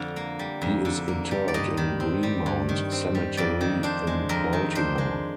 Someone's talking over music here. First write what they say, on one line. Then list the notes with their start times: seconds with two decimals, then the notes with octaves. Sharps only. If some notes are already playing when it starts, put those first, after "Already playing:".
He is interred in Greenmount Cemetery in Baltimore.
Already playing: F2 D3 F5
0.16 A#3
0.39 G3
0.62 F2
0.85 D3
1.08 A#3
1.31 G3
1.48 D5
1.54 G2 D#5
1.77 D#3
2.00 C4
2.23 G3
2.46 G2
2.69 D#3
2.92 C4
3.15 G3
3.37 F2 D5
3.61 D#3
3.83 D4 C5
4.07 G#3
4.29 F2 A#4
4.53 D#3
4.75 D4 C5
4.98 G#3